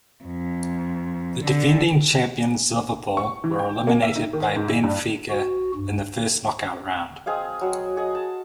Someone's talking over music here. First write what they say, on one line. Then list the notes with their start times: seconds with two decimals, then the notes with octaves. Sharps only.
The defending champions Liverpool were eliminated by Benfica in the first knockout round.
0.24 F2
1.44 D3
3.17 C#6
3.44 E3
3.59 G5
3.87 A#3
4.03 E5
4.16 D#4
4.33 D#3
4.56 G#2
4.68 E4
4.83 G2
5.31 F#4
5.75 G2
7.26 C4 G#4 D#5 F5
7.61 F#3 B3 F#4
7.96 F#4 G#4 D#5
8.15 A5